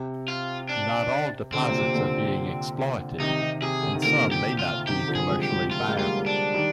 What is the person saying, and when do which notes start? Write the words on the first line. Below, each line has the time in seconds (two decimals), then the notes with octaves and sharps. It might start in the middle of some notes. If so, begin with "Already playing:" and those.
Not all deposits are being exploited, and some may not be commercially viable.
Already playing: C3
0.28 F4
0.69 D4
1.53 D3 C4
1.61 C3
1.69 A#2
1.77 C3
1.95 A#2 D3
3.20 C3 D#3 D#4
3.41 C3
3.62 C3 G#4
3.83 D3
3.94 D#3
4.03 A#2 D3 A#4
4.32 G4
4.59 F4
4.87 C3 D#3 G4
5.08 D3 F3
5.15 G#4
5.23 G3
5.29 F3 G#3
5.43 G4
5.50 F3 G#3
5.71 F4
5.79 A#3
5.88 G#3
5.97 G3 A#3 F4
6.26 D4
6.54 D#3 G3